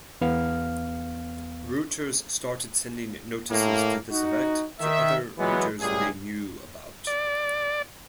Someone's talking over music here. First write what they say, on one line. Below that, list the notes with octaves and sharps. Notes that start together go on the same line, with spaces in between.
Routers started sending notices to this effect to other routers they knew about.
E2 B3 F5 F6
A2 A#3
D#4 F#4
D#3 E5
E3 F#3 G#3 B3
C#2 A2 G3 G#4
D5